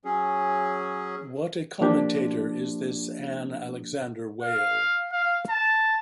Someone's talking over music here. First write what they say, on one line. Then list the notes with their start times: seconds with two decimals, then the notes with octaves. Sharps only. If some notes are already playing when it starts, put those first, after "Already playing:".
What a commentator is this "Ann Alexander" whale.
0.05 F#3 C#4 G#4
1.81 F3 A#3 D4 F4 G4
4.43 F5
5.12 F5
5.50 A5